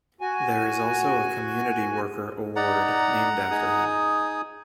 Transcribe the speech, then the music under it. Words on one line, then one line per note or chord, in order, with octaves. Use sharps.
There is also a Community Worker award named after him.
F#4 G#5
D#4 D5 F#5 A#5
D#4 G#4 D#6